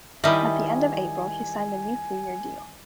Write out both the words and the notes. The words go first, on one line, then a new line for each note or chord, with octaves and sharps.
At the end of April, he signed a new three-year deal.
D#3 G3 E4 D#5 E5 G#5 D6